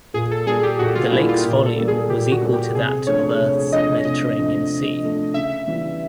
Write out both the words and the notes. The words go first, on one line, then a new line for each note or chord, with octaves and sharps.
The lakes's volume was equal to that of Earth's Mediterranean Sea.
A#2 G#4
A4
G3 A#3 G#4
G4
A#2 F#4
F4
G3 A#3 E4
F4
A#2 G4
A4
G3 A#3
G#4
A#2 G4
G4
F#4
G3 A#3
G4
C3 G#4
F3 A3 D4 C#5
C3
F3 A3 D4 D#5
C3 D#5
F3 A3 D4
C3
F3 A3 D4
C#3 E5
E3 G3